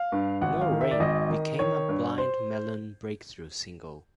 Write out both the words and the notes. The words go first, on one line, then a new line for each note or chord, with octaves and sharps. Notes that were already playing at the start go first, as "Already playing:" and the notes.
"No Rain" became Blind Melon's breakthrough single.
Already playing: F5
G2
G#1 F#5
F5
D#3
E5
D5
G#1 D#5
D#3
D#3 C#5
G2
C5